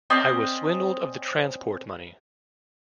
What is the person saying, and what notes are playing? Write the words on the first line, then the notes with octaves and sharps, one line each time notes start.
I was swindled of the transport money.
C4 C#4 D5 D#5